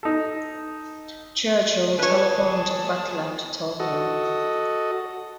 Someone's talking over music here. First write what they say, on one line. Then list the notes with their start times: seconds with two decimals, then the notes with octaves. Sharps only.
Churchill telephoned Butler to tell him.
0.03 D#4 A4
1.99 G#4 B4 C#5 A5
3.80 F#4 A4 D#5